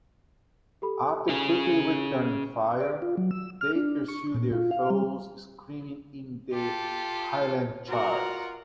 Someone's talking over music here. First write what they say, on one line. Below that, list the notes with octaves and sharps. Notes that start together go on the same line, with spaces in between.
After quickly returning fire, they pursued their foes, screaming in the "Highland charge".
G4 A4 B5
C#4 G#4
D5
F4
F#3
E6
F6
D4
C#6
A#2
F4
F5
G3
F4 G4 A4
F4 F#4 A#4 F#5 A#5